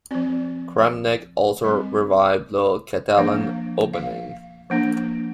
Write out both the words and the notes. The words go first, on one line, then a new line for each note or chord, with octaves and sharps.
Kramnik also revived the Catalan Opening.
F3 C4 D5
G3 C4 D#5
F3 A#3 D4 F5
F5
F3 A#3 D4